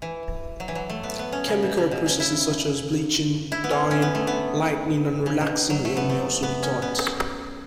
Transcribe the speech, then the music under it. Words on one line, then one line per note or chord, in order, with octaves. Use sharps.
Chemical processes such as bleaching, dyeing, lightening and relaxing hair may also be taught.
E3
F#3
E3
F#3
A3
B3
B3
C#4
C#3
B2
C#3
B2
C#3
E4
E4
B3
C#4
C#4
B3
A3
B3
C#3
B2
F#3
A3
B3
A3
B3
C#4
B3